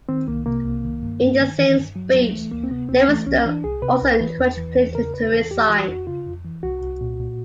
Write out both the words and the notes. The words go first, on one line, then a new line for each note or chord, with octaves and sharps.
In the same speech, Livingston also encouraged Clinton to resign.
D#3 C4
C2 A#3
C3 A#3
C2
D#3
G2
G2
D#3
D#3 E3
G2
G2 F#3
D2 F#3
E3 A3
D2 A#3
C4
C3 B3
D2 C4
E3 A3
C2 C#4
E3 D4
C2 G#4
C3 B4
C2
E3
E2
E3
E2
C#3 A#4
E2 B4
E3 A4
F2 G4
E3 F#4
F2 F#4
C#3 F4
F2
E3
C2 F#4
C2
A#2
A#2